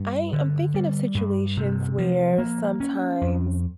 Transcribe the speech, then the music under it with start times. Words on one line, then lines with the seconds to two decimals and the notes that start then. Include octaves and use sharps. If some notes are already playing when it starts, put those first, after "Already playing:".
I am thinking of situations where sometimes
Already playing: G2
0.33 D3
0.74 G3
1.15 G2
1.57 C3
1.98 F3
2.38 A#3
2.80 C#4
3.21 F2